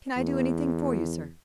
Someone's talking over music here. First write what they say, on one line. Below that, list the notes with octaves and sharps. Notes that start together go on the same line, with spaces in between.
"Can I do anything for you, sir?"
E2